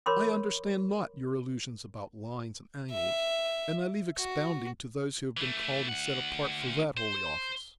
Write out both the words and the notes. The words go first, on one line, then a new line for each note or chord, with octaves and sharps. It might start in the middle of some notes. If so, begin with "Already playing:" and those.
I understand not your allusions about lines and angles; and I leave expounding to those who have been called and set apart for that holy office.
A#4 C#5 B5 C6 D6
E5
F#4
E3 A3
D2 F#5
C5